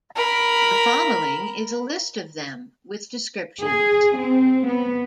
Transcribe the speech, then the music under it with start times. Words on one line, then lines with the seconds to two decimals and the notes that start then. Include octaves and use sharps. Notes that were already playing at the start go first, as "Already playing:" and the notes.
The following is a list of them with descriptions.
0.16 A#4 B5
3.62 G#4
4.16 C4
4.67 B3